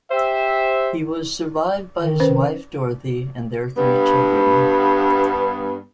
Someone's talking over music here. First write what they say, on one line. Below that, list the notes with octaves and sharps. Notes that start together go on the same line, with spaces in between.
He was survived by his wife, Dorothy, and their three children.
G4 C5 E5
D#3
C#4 B4 C5
G2 B3